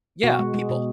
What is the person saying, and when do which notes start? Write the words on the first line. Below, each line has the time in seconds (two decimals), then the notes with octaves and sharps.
Yeah, people,
0.23 B2 F#4
0.39 G#3
0.54 G#3
0.69 B2